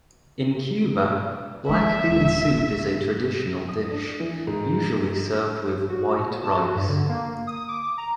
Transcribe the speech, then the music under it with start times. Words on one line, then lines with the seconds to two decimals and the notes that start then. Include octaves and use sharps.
In Cuba, black bean soup is a traditional dish, usually served with white rice.
1.69 G#3 A#3 E5
2.08 D#1
2.57 B1
3.69 D#6
3.91 D4
4.20 E3
4.47 G#2
5.89 F#4
6.31 A#2
6.44 A5
6.57 F#4
6.76 G2
6.89 D3
7.09 A#3
7.47 D#6
7.69 D6
7.98 A#5